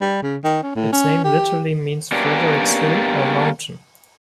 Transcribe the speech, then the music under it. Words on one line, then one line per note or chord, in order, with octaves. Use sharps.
Its name literally means Frederik's hill or mountain.
G3
C#3
D#3
C#4
A2
C#4
G4
G3 A#3 B3 C#4 D4 G4